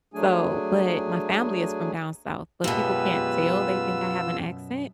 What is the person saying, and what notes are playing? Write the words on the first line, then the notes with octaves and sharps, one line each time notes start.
So but my family is from down south, but people can't tell, they think I have an accent.
F#3 A3 D4 G#4 G#5
F#2 B2 G#3 F4 G4 B4 E6